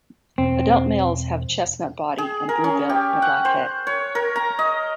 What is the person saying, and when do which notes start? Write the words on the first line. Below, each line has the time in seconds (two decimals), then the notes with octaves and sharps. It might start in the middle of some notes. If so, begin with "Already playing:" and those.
Adult males have a chestnut body, a blue bill and a black head.
0.38 E1 C4
2.18 G#4
2.49 A#4
2.64 C#4
2.89 G4
3.22 F#5
3.45 C5
3.87 C#5
4.15 A#4
4.36 A#5
4.59 D#5